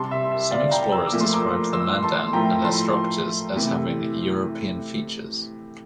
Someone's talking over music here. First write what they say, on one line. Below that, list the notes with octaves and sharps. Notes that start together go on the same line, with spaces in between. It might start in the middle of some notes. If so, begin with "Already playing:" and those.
Some explorers described the Mandan and their structures as having "European" features.
Already playing: C3 G3 A5 C6
E5
E5
D5 F5
G5 A#5
E6
D6
A#2 F3 A3
C6
A#5 D6
C6 E6
A5 C6
A2 F3 A3 G5 A#5
A5 C6
C3 E3 A3